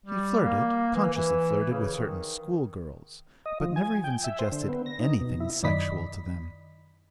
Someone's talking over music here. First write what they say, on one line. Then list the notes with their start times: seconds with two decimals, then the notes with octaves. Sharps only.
He flirted, consciously flirted, with certain school-girls, but never even suggested anything sexual to them.
0.06 G3
0.44 A#3
0.95 E3
1.14 E3
1.72 C#3
1.95 D#3
3.46 D#5
3.60 F3
3.76 G#5
4.04 G5
4.24 E5
4.39 C5
4.52 D3
4.69 B3
4.86 A#6
5.00 D#4
5.21 B2
5.40 E4
5.63 F#2 D#3 D5 D#5 B5 B6